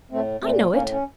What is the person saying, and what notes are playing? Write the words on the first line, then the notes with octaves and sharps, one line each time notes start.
"I know it."
A2 A3 C4
A#2 A3 C4
A2 A#3 C#4
C#4